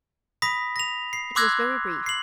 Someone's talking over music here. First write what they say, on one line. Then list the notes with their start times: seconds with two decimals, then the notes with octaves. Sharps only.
It was very brief.
0.42 B5 D#6 A#6 B6
0.76 A#6 F7
1.13 C7
1.36 C6 D6 E6 F#6 G#6 A#6
2.06 C7 F#7